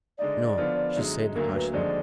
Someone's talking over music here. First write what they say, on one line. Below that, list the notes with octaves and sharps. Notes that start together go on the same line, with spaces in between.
"No!" she said harshly.
D3 G#3 D#4 D5
D3 F3 B3 F4
F#2 D3 G#3 D#4
D2 D3 F#3 A#3 A#4
B4
D#2 D3 F3 G#3 D5